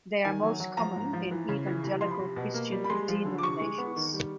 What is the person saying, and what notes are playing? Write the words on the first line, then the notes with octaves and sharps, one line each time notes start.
They are most common in Evangelical Christian denominations.
D#3 G#5
F#3
F#3
F3 A#5
G#2
F3
E3
C#3
E3
C3
F3 C6
B5
C3
B2
A#3
G3
B5
G#3 C6
F3
D3
D6
C3 C#6
G#3
B3
D#3
G3